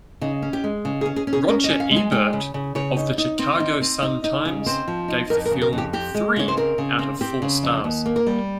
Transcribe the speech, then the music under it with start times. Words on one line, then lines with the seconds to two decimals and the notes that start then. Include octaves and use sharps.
Roger Ebert of the "Chicago Sun-Times" gave the film three out of four stars.
0.21 C#3 D#4
0.42 C#4
0.53 G4
0.64 G#3
0.85 C#3
1.01 G#4
1.06 C#4
1.16 G#4
1.27 C#4
1.33 G#4
1.48 C#4 A#4
1.64 D#5
1.70 C#4
1.80 F5
1.91 G#3
1.96 G#5
2.12 G#3 G5
2.33 C#3
2.54 C#3
2.75 C#3 C#5
2.97 D#4
3.18 D#4
3.39 C4
3.60 D#4
3.82 C4
4.02 D#4
4.24 D#4
4.45 C#3
4.66 C4 C5
4.88 F3
5.08 D#4
5.30 F2 A#4
5.46 A#4
5.51 C#3
5.62 A#4
5.73 F2
5.78 G4
5.93 C4 G4
6.15 G#3
6.36 C#3 C#5
6.48 C5
6.57 C4 A#4
6.78 C#3
6.99 C4
7.21 C4 G4
7.42 C#3
7.63 F2
7.84 D#2
8.06 A#3
8.16 A#4
8.27 G3